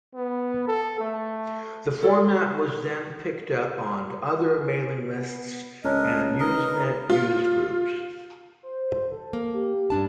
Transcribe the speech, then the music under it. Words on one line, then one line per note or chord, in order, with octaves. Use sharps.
The format was then picked up on other mailing lists and Usenet news groups.
B3
A4
A3
A4 C#5 D5
G#4
B3
C#2 C#4 D4 A#4 D#5
D#4 A#4 B4 D#5
F4
C5
A4
A#3
G4
G2 D4 A5